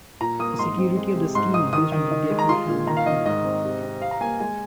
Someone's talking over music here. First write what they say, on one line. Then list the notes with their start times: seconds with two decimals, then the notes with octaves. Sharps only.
The security of the scheme is based on the Diffie-Hellman problem.
0.21 A#2 A#5
0.39 A#3 D#6
0.59 G#2 C6
0.78 C4
0.97 G#3
1.16 C3
1.35 G#2 C6
1.54 D#4 D#6
1.73 D#3 D#6
1.92 D#3
2.11 D#4
2.30 G#3
2.39 A#5
2.49 F4 C6
2.68 A#2
2.87 D#3 A#5
2.97 F5
3.06 D#3 D#5
3.26 G#2 D#5
3.44 C4
3.63 C3
3.82 C4
4.01 C3 F5
4.11 A#5
4.21 A#3 G#5
4.40 G#3 G#5